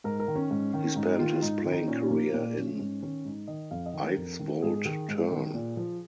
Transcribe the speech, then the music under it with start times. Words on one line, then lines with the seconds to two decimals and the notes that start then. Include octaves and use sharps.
He spent his playing career in Eidsvold Turn.
0.04 G#2 A#4
0.20 A#4
0.28 D#3
0.35 C#4
0.51 G#2
0.73 D#3
0.96 G#2 D#4
1.19 D#3 F4
1.42 G#2 D#4
1.58 F4
1.65 D#3
1.72 D#4
1.88 A#2 C#4
2.11 F3 A#3
2.33 A#2 A#3
2.56 F3 C#4
2.79 G#2 C#4
3.02 D#3 C#4
3.25 G#2 D#4
3.48 D#3 D#5
3.71 F2 F5
3.86 D#5
3.94 D#3
4.01 A#4
4.17 F2
4.39 D#3
4.62 G#2 G#4
4.85 D#3 G#4
5.08 G#2
5.32 D#3
5.54 A#2
5.77 F3